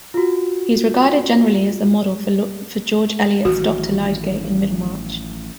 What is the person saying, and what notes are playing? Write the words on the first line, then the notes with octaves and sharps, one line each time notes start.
He is regarded generally as the model for George Eliot's Doctor Lydgate in Middlemarch.
F4 F#4
A1 D#3 F#3 F#4